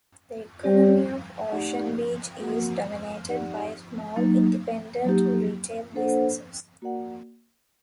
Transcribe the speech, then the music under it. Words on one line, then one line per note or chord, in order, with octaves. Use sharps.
The economy of Ocean Beach is dominated by small, independent retail businesses.
G3 C4 G4 D5
A3 D#4 G4 D5 F#5
A#3 F#4 A#4 F#5
D#4 G4 D5 F#5
F#3 A#3 D#4
F#3 A#3 D#4 G4
A#3 D4 A4 C5 F#5
A#3 F#4 A#4 D5 F#5